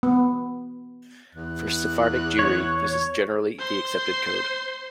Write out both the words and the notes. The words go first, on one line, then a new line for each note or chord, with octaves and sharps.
For Sephardic Jewry, this is generally the accepted code.
B3
E2 F#6
C#5
C5 C6